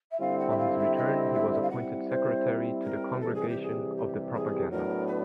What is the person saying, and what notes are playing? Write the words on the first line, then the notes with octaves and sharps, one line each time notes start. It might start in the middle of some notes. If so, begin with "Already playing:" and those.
On his return he was appointed secretary to the Congregation of the Propaganda.
E5
D3 G3 C4 E4 F5
F#5
E5
F5
E5
D#5
E5
E5
F5
G3 C4 E4 F#5
C5
A#4
C3 E3 G3 A4
G#4
G4
G#4
G4
G#4
A2 F#3 B3 D4 A#4
B4